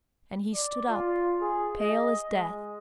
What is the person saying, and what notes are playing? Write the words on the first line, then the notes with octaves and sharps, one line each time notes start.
And he stood up, pale as death.
D5
F4
G#4
D#5
G#3